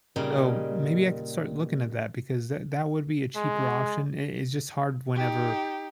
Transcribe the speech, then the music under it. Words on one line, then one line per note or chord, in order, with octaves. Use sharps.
So, maybe I could start looking at that because that that would be a cheaper option. I It's just hard whenever,
A#2 C#3 G3 D#4
G#3
D#4 G4